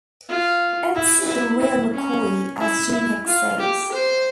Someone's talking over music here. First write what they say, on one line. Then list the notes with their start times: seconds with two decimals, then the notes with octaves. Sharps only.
It's the 'real McCoy,' as Jim Hicks says.
0.29 F4
0.95 E4
1.27 E4
1.61 E4
1.93 C#4
2.60 E4
2.93 E4
3.27 F4
3.60 G4
3.91 C5